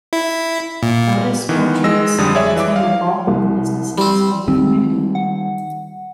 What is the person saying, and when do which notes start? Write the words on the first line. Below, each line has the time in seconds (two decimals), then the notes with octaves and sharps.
Otis Orchards contains the bulk of the businesses of the community.
0.13 E4
0.83 A#2
1.49 D#3 E3 B3
1.84 G#3 D#5 E6 A#6
2.18 F2 D3 G3 A4 D#6
2.35 G#4 C#5 D5 E5
2.56 E3 E5 D6
2.76 F5
3.27 C2
3.98 G3 C4
4.48 D#3 G3 C4
5.15 F#5